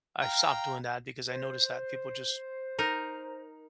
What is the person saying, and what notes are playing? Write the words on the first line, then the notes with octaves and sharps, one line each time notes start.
I've stopped doing that because I noticed that people just
F5 G5 A#5
C5
D#4 A#4